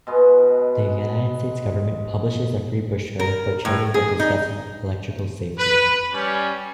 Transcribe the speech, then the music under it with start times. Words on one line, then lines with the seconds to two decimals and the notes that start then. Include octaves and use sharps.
The United States government publishes a free brochure for children that discusses electrical safety.
0.07 B2 G#3 B4
3.19 A#4
3.65 A2
3.94 G#4
4.20 D#4
5.59 B4
6.13 G3 C#4